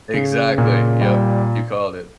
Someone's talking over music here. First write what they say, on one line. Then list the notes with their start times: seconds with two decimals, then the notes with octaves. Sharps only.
Exactly, yep, you called it.
0.14 C#3
0.58 A#2
1.01 G3